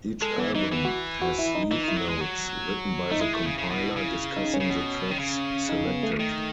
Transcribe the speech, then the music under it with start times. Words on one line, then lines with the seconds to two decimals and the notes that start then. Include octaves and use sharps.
Each album has sleeve notes written by the compiler discussing the tracks selected.
0.22 G#3 A4
0.38 E3 B3
0.55 E3 D#4
0.72 E3 B3
0.85 F#4
1.22 F#4
1.39 E4
1.55 D#4
1.71 E3 D#4
1.83 D#3 E4
1.96 F#3
2.09 G#3
2.21 F#3
3.10 A3 D#4
3.21 G#3 E4
3.33 A3
3.46 C#3
3.58 C#3
3.70 B2
3.96 C#3
4.37 D#4
4.54 C#4
4.60 C#3
4.70 B2
5.11 D#3
5.19 C#3
5.69 D#4
5.86 B3
6.03 A3
6.20 D#3